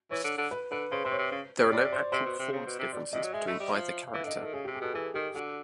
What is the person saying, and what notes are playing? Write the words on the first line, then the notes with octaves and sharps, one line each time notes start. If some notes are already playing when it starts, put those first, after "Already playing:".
There are no actual performance differences between either character.
E3 C#5
D3
D3
B4
D3 B4
C#3 C5
C3 C5
C#5
C3
C#3
C3
C#5
D5
C5
C3 C5
B2
C3
C#3
B2
C3
B2 D5
C3 D#5
F#3
G#3 E5
A3
G3
F3
F5
E3 E5
D3
D#5
D3
A4
D#3
C#3 G#4
G4
C3
G#4
B2 A4
E3 G#4
D#3 G4
D3 F#4